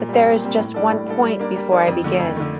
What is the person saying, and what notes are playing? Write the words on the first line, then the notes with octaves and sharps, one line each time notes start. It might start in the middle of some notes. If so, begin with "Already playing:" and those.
But there is just one point before I begin.
Already playing: A#2
G3 C4
A#2
G3 C4
A2
G3 D4 A4
A2
G3 D4 A4
G3
A#3 D4
G3
A#3 D4
F2
D3 A3
F2
D3 A3